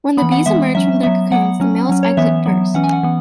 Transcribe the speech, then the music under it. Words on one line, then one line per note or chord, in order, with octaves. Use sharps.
When the bees emerge from their cocoons, the males exit first.
E3 B3 B5
F#5
E3 G#3 B3 E5
F#3 C#4 E5
F#3 B3 E5
F#3 B3 F#5
F#3 C#4
F#3 C#4
C#5
E3 B3 E5
F#3 B3
E3 C#4 F#5
G#5
F#5
E3 B3